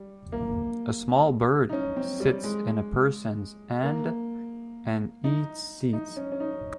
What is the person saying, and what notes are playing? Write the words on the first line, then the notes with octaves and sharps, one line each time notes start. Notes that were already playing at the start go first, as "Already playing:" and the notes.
A small bird sits in a person 's hand and eats seeds.
Already playing: G3
A#3
D#4
C#4
C4
G3
G#3
A#3
D#4
D#4
C#4
C#4
D#4